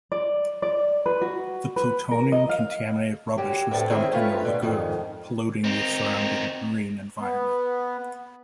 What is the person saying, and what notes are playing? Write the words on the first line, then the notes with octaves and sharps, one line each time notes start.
The plutonium-contaminated rubbish was dumped in the lagoon, polluting the surrounding marine environment.
D5
D5
B4
F#4
B4
A#4
D#5
F5
F#2 F#3 G4
D2 A2 B3 C4 G5 A5
D#3 C4 C#4 E4 G#4 G5
F#3 A3 C4 C#4 F4 B4
B2 D3
F2 G#2 D#3
C4 D#4
B3